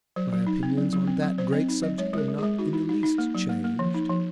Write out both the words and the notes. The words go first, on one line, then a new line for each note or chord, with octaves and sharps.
My opinions on that great subject are not in the least changed.
F#3 C5
F#3
D#4
C4
F#3
F#3
C4
F#3
F#3 C5
C4 D#5
D#4
F#3 D#5
G#3 C#5
G#3 A#4
G#3
G#3 G#4
D#4 F#4
D#4
D#4
D#4
A#3
F#3
A#3
A#3
F3
D#4
F3